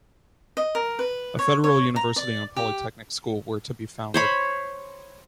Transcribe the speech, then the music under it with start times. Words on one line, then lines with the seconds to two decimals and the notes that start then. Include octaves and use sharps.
A Federal university and a polytechnic school were to be founded.
0.57 D#5
0.75 A#4
0.99 B4
1.39 C#5
1.64 C#5
1.96 A#5
2.16 D5
2.56 G4
4.14 C5 C#5 B5